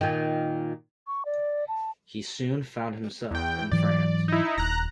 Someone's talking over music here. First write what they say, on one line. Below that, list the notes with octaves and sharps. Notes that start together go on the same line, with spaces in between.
He soon found himself in France.
A#2 D#3
C#6
D5
A5
E2 G5
G#2 E3 F#3 D5
D#4 E4
D#1 A#5 F#6